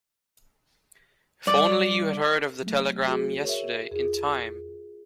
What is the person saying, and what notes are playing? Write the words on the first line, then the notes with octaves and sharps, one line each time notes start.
If only you had heard of the telegram yesterday in time!
G2 D5
F#3 A3
F#4 G#4
A#4 C#5 E5
E2 F4 G#4